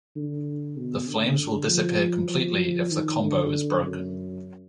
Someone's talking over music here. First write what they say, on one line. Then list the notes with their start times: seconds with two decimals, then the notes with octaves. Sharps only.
The flames will disappear completely if the combo is broken.
0.16 D3
0.77 B2
1.08 D3
1.69 F3
2.30 F3
2.91 D#3
3.22 D3
3.83 F#2